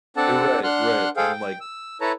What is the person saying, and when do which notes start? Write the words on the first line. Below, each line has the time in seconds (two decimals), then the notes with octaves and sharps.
Eh, right, right, and like
0.17 C4 D4 A4 D5 F#5 A5
0.64 D4 F#5 C6 F6 F#6
1.17 G#4 A4 C5 F5 G5
1.32 G5
1.61 E6
2.01 E4 A4 B4 C#5 A5 A#5